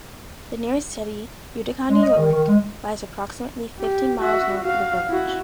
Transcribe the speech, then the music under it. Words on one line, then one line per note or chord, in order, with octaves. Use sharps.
The nearest city, Utica, New York, lies approximately fifteen miles north of the village.
G#3
D#5
D#3
D#3
G#3
G4
F#4 E5
F#4 F5
E4 F#4